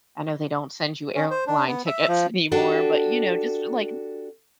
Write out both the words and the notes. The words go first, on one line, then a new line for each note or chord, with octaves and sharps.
I know they don't send you airline tickets anymore, but you know, just like
C#4
C5
D4
B3
E5
F3
D4 F#4 G4 A4